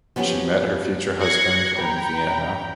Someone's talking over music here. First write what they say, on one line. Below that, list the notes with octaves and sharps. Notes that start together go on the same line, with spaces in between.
She met her future husband in Vienna.
F3 F#3 B3 C#4 G4
F#6 G#6 A#6 C7 C#7
G5 A#5 B5